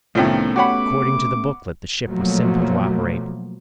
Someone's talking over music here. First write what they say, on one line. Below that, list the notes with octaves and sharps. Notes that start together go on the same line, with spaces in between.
According to the booklet, the ship was simple to operate.
C2 A2 D#3 A3 B3 C#4 F4 G5
F#4 G4 C#5 F#5 B5 D6
B2 F3 F#3 A3 A#3